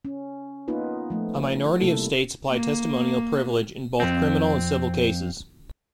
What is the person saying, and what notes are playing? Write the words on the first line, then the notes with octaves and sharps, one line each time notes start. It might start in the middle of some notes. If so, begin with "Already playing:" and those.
A minority of states apply testimonial privilege in both criminal and civil cases.
C#4
A#3 B3 D#4 F4 B4
F3 A3
C3 G3 A3 A#3 E4 A4
A#3
F2 C4